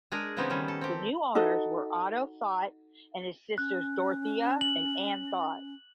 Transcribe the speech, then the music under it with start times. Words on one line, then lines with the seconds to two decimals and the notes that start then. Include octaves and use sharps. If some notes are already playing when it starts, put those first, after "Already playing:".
The new owners were Otto Thott and his sisters Dorothea and Anne Thott.
0.12 G#3 D4 G#4 A#4
0.36 C#3 E3 B3 C4 D#4 G4
0.50 D#3 G3 C#4
0.68 A4
0.81 C4 G4
1.35 D#4 F#4 A4 D#5
3.58 C#4 F#6
4.61 F#7